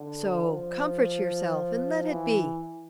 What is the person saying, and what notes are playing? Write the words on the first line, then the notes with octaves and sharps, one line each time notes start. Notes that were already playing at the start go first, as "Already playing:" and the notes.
So comfort yourself, and let it be!
Already playing: D3
F3
E3